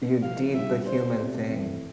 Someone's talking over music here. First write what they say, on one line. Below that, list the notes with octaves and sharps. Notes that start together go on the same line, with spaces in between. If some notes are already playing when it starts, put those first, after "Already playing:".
you did the human thing,
F3 A3 E4 F5
C2 C3 G3 D4 F4 E5
B2 B3 E4 G4 C5 D5
B2 A3 C4 G4 D5
F2 C3 E3 A3